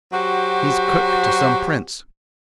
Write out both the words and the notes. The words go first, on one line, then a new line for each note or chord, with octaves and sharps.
"He's cook to some prince."
F#3 F#4 G4 C5